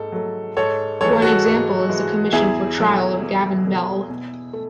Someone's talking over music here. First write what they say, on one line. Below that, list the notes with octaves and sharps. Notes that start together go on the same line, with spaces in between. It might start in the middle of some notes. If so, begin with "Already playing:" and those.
One example is the commission for trial of Gavin Bell.
Already playing: G#2 A4
F#3 A3
G#2 A4 C#5
E3 G#3 A4 C#5
F#4 A4
G#2
E3 G#3
E2 E4 G#4
B2 F#3 A3
E2
B2 F#3 A3
B2
A3